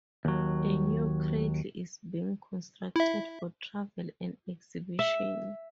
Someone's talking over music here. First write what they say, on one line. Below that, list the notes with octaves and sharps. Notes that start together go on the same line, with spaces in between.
A new cradle is being constructed for travel and exhibition.
D#2 F#3
E4 E5
E5